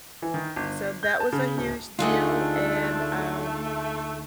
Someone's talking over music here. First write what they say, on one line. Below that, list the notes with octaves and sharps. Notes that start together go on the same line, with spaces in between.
So that was a huge deal. And, um,
E3
D#3
G1
G6
A5
C#3
D1
D2 A3 D4 D#4 F4 G#4 F#5